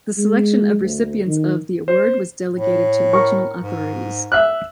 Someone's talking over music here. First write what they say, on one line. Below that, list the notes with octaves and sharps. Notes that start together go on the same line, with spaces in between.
The selection of recipients of the award was delegated to regional authorities.
G#3
D2
D#3
C5
A2
A#4 C#6
G#2
E5 F#6